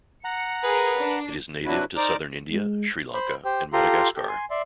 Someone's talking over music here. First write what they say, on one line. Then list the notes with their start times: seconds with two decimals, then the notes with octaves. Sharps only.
It is native to southern India, Sri Lanka, and Madagascar.
0.24 F#5 A#5 C#7
0.63 G#4 A#4 B4
0.98 D4
1.65 C3 F#3 D4 E4 F#4 B4
1.97 D#4 A#4 C5 D5 A#5 D6
2.51 G#3
3.14 C5 B5
3.45 G4 C5 G5
3.73 F4 G4 A4 A#5 C6
4.16 G4 A4
4.28 G#5 C6
4.50 D5 E5 C6